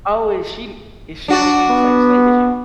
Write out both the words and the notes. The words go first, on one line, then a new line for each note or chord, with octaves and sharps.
Oh, is she is she, like, in the same state as you?
D4 F#4 D5
B3